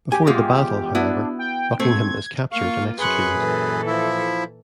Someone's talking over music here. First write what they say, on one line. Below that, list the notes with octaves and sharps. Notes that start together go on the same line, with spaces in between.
Before the battle, however, Buckingham is captured and executed.
G4 G#5
E2 G#3 F4
B3 D4 E4 F#4
G5
A3 C4 G#6
A#3 F4 F5 C#6
F#2 G#4 B4 C6 C#6 F#6
A#2 E3 A4
F3 E4 E5